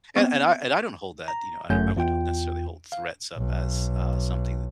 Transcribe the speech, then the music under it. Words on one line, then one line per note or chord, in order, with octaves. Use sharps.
and and I and I don't hold that, you know, I don't I wouldn't necessarily hold threats up as, uh, something that,
B3 C4
A#5
G1 F#2 A3 C#4 G6
E2 F4 G5
F5
B1